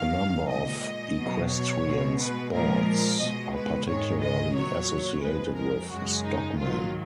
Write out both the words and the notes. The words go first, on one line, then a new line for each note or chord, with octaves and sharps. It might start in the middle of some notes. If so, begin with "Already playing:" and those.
A number of equestrian sports are particularly associated with stockmen.
Already playing: F#2 D#3 F#3 F5
A#2 G#3 D#5
B2 F#3
C#5
B2 G#3
B4
A#2 F3 G#3 A#4
B2 G#3 D#5
B4
G#2 D#3 G#3 C#5
D#5
A#2 F#3 C#5
F2 F3 G#3 B4
A#4
F#2 C#3 G#3 F#4
D#4
G#2 D#3 F#3 F4